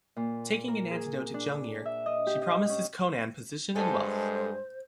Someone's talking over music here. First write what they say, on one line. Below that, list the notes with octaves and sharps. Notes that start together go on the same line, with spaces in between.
Taking an antidote to Jungir, she promises Conan position and wealth.
A#2
A#4
G#4
D4
E5
D#5
G4
D#5
C#4
G2 G#3 A4 C5 G#5